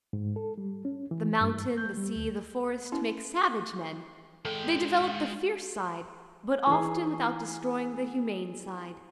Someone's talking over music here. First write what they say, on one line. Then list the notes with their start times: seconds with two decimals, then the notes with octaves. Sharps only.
The mountain, the sea, the forest, make savage men; they develop the fierce side, but often without destroying the humane side.
0.13 G#2
0.36 A4
0.58 G3
0.85 C#4
1.11 E3
1.41 G2
1.78 G6
1.97 G3
2.16 D2
2.92 C#4 E4
4.45 G#3 A4 G5
6.67 E3 G#4